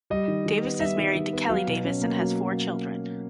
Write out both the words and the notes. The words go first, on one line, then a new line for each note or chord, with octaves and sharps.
Davis is married to Kelly Davis and has four children.
G3 D#5
D#3
D#3
B3
G3 E5
D#3
D#3
B3
F#3 F5
B2
C#4
A#3
F#3